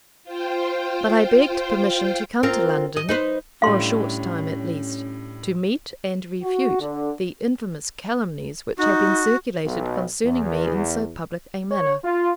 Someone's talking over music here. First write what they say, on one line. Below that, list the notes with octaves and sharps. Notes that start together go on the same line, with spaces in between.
But I begged permission to come to London, for a short time at least, to meet and refute the infamous calumnies which had been circulated concerning me in so public a manner.
F4 C5 G5
C4 F4 A#4
D#5
D#4 B4 C5
A2 G3 C#4 D4 F5 C6
F#4
D3
D#4 F#4
B1
E2
C#5
F4